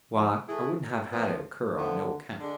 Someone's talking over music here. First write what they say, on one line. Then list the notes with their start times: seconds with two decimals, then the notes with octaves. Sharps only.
Why, I wouldn't have had it occur on no account.'
0.16 F3
0.47 E3 A3 E4 G#4
1.12 A2 F3 B3
1.75 A2 D3 F3 B3
2.39 D3 G#3 D4